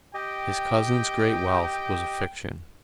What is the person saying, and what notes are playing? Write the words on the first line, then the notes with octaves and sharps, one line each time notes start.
His cousin's great wealth was a fiction.
G4 D#5 G5